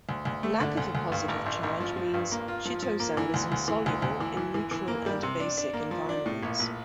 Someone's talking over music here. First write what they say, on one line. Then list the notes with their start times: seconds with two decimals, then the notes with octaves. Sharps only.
Lack of a positive charge means chitosan is insoluble in neutral and basic environments.
0.09 D2
0.25 D2
0.43 A3
0.60 D3
0.77 D2
0.95 D2
1.12 G2
1.28 A1
1.46 A1
1.63 A1
1.80 F3
1.97 F3
2.14 G2
2.32 A#3
2.48 F4
2.65 F3
2.82 F3
3.00 A#3
3.17 E3
3.34 D2
3.52 D2
3.68 E3
3.86 D2
4.02 D2
4.20 E3
4.37 E3
4.54 E3
4.71 E3
4.88 A#3
5.06 G3
5.23 C3
5.40 D4
5.57 D4
5.73 A#3
5.91 F3
6.09 D4
6.26 A2
6.43 A#1
6.60 A#1